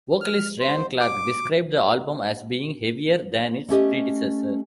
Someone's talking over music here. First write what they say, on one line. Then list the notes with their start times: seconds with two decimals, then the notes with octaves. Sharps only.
Vocalist Ryan Clark described the album as being heavier than its predecessor.
0.21 F6
0.59 C5
1.00 D6
3.69 A3 C#4 G4 D#5